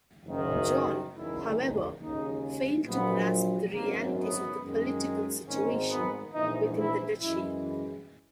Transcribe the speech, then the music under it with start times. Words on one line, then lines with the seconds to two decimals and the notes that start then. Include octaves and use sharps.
John, however, failed to grasp the realities of the political situation within the duchy.
0.25 F#1 F#2 D#3
1.12 F#1 E2 D#3 G#3 E4
1.99 D#2 C#3 G#3 D#4
2.85 A#1 A#2 F#3 B3
3.72 G#1 F#2 D#3 F#3 A#3
4.16 B3
4.59 F#2 D#3 G#3
5.46 G#1 G#2 D#3 G#3 C#4
5.90 B3
6.33 A#1 G#2 E3 D#4
6.76 E4
7.20 F#2 E3 G#3 E4